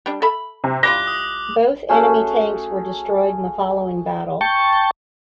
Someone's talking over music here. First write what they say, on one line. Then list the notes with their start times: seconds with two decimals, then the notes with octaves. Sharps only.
Both enemy tanks were destroyed in the following battle.
0.06 G3 D4
0.22 A4 E5 B5
0.64 C3
0.83 G3 E4 F4 D6 F#6 A#6 G7
1.07 D#6
1.89 A3 C#4 F#4 G#4
4.41 G5 A5 C#6